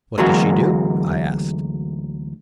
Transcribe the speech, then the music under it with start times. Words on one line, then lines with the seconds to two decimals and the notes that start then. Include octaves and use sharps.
"What does she do?" I asked.
0.18 D2 E3 F#3 G#3 A#3 F#4